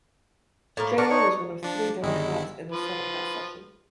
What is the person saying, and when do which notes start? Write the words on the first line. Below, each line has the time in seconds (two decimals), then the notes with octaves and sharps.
Strayer was one of three Democrats in the senate that session.
0.77 A2 A#3
0.98 D4 A#4 D5 C#6
1.10 D#4 C#5 C#6
1.62 F3 D4
2.02 G1 D#3 G3 G#3 E4
2.72 F3 B4